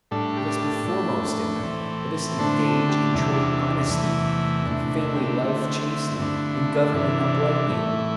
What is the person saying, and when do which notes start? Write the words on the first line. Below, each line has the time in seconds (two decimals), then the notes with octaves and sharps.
Let us be foremost in them; let us engage in trade honestly, in family life chastely, in government uprightly.
0.11 A2 G3 D4 A4
0.37 G4
0.62 A4
0.87 A2 A3 D4
1.63 A2 E3 C4
2.39 D3 A3 D4 C5
2.64 A4
2.89 G4
3.14 E2 C3 G3 D4 E4
3.34 E4
3.52 E4
3.90 E2 C3 E3 A3 E4
4.66 C3 A3 D4
4.92 E4
5.16 G4
5.42 D3 A3 C4 E4
6.18 G2 D3 A3 D4 E4
6.94 C3 E3 G3 D4 E4
7.69 A2 E3 A3